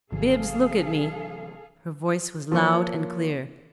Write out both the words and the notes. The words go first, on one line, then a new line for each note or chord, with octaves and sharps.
"Bibbs, look at me!" Her voice was loud and clear.
G#1 C3 E3 F#3 G#4 A4 F5
F3 A#3 C#5